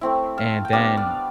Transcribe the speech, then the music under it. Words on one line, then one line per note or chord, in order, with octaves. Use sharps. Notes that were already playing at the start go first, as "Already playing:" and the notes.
And then
A3 C4 E4
F5 A5
G5
G3 B3 D4 D5 F5
D5 F5